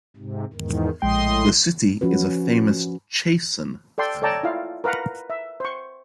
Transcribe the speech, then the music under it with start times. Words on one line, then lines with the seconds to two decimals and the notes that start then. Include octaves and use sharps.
The city is a famous "Chasen" town.
0.16 G#2 C3
0.53 E2 G#2 D#3
1.02 A#1 A2 G#3 D#5 G5 C6
2.01 F3 C#4 F#4 B4
3.98 A4 D5 G5 C6
4.22 A4 C#5 D5 G5 A5 A#5
4.43 E4 F4 F5
4.84 A#4 B4 F5 F#5 A#5
5.30 E5
5.60 C5 C#6